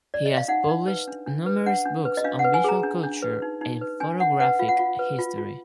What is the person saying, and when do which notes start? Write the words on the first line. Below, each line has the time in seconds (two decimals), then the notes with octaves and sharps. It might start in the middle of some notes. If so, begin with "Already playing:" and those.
He has published numerous books on visual culture and photographic history.
0.14 D5
0.26 D#5
0.37 F5
0.48 D#4 F#5
0.68 D#4
0.88 B4
1.08 D4
1.27 D4
1.46 B4
1.66 D4 F#5
1.85 D4
2.05 B4
2.17 D#5
2.24 D4 F5
2.39 F#5
2.44 B4
2.54 G#5
2.64 G#4 A#5
2.83 D4
3.04 D4
3.22 B4
3.42 D#4
3.61 D#4
3.81 B4
4.00 D4 G#5
4.20 D4 F#5
4.40 B4 F#5
4.59 F4 F5
4.68 F#5
4.77 F4 F5
4.99 B4
5.19 F4
5.38 F4